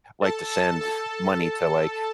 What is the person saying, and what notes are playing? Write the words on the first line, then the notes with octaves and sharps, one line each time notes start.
liked to send money to, like,
A4 A5
A4 A5
A4 A5